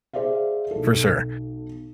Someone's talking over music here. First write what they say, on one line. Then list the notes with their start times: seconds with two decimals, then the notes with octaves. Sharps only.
for sure,
0.13 G#4 C5 D5 E5 F5
0.71 B1 A4